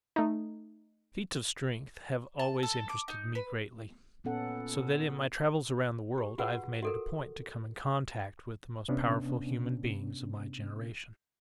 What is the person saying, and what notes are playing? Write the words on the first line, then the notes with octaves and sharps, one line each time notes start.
Feats of strength have always interested me greatly, so that in my travels around the world I have made it a point to come in contact with the most powerful human beings of my generation.
A3 D#4
A5
A4
D6
D#4
B4
A#2 B3 C#4 A4 F#5
G4
F4 F#4 G#4 B4 F#5
F#4 A4 A#4
C3 B3 C#4 D4